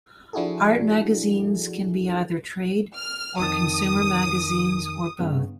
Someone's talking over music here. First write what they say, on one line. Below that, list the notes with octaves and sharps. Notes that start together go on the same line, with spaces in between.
Art magazines can be either trade or consumer magazines or both.
F3 D4 E4 F#4 G#4 A4
F6
F2 D#3 A5 D#6
G2 C#3 B3